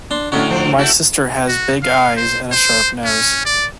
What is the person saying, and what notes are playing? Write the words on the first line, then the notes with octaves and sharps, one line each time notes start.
My sister has big eyes and a sharp nose.
D4 C6
A2 D3 C#4 D#4 F#4
D3 F3 C5
A3 E4 F#4
F#4
F5
C5
C5
C#4
D5